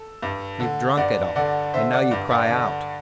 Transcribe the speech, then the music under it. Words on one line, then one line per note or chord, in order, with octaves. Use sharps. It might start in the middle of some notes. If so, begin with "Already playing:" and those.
You've drunk it all and now you cry out.
Already playing: A4
G2
D3
G2 D5 F#5
D3 D5 F#5
D3 C5 E5
D5 F#5
G2
D5 F#5
D3